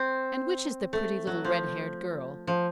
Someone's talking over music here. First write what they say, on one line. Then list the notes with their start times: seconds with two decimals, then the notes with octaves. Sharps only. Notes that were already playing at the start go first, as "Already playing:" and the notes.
"And which is the pretty little red-haired girl?"
Already playing: C4
0.93 A3
1.27 F#3
1.44 F3
2.47 F3